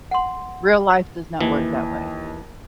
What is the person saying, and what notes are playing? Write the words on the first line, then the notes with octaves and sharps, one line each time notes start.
Real life does not work that way.
F#5 C6
D#2 E3